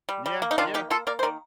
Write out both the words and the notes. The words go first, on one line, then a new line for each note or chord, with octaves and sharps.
Yeah, yeah.
G3
G3
A#3
D#4
D#3 D4 F4
A#3 D#4 G4
A#3 F4 A4
A#3 A#4 D5
C5
D#3 A#4 D5